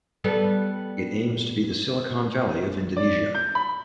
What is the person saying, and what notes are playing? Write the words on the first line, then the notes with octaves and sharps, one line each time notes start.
It aims to be the Silicon Valley of Indonesia.
G3 B3 A4
D5
G6
B5